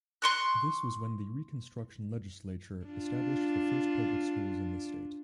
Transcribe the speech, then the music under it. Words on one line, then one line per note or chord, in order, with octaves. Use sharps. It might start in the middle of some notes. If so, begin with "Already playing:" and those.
This was when the Reconstruction legislature established the first public schools in the state.
C6 C#6 F#6
D4 F4